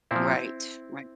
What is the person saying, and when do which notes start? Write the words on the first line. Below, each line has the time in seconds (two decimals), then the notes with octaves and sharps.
Right, right.
0.11 A#2 F3 C4 E4